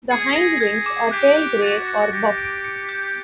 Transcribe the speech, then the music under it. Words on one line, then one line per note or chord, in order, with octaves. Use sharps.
The hindwings are pale grey or buff.
G#4 C#7
A#6
G#4 G#6
D6
G4 F#6
F#6
F#4 A6
C#7
G4 A#6
D7
C#7
G6